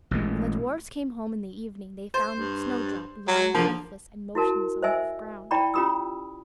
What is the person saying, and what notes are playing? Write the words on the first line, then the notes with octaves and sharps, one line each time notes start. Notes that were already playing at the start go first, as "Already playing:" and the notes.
When the dwarfs came home in the evening, they found Snowdrop lying breathless and motionless on the ground.
A1 A#2 G#3
C5
G2
F#3
D3 F3 A#3
E4 F#4 A#4 A5
C5 D#5 E5 G#5 E6
E4 D5 G5 A#5 B5 C#6
C#4 F4 G4 B5 D#6 E6